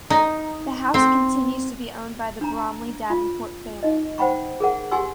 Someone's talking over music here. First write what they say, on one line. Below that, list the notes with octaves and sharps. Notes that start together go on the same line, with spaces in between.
The house continues to be owned by the Bromley-Davenport family.
D#4
C4
D4 A#5
F4
D#4 D#5
C5 F#5 G5 B5 C#6
G#4 A#4 F#5
G4 F#5 G#5 C6 C#6 E6